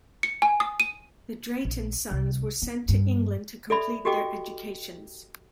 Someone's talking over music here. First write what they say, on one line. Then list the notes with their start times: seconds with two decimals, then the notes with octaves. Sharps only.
The Drayton sons were sent to England to complete their educations.
0.23 C#7
0.42 G#5
0.60 D#6
0.80 D#7
1.65 A#1
2.11 C2
2.62 B3
2.89 G2
3.70 A4 D5 E5 B5
4.05 F#4 G4 A4 D#5 G5 D6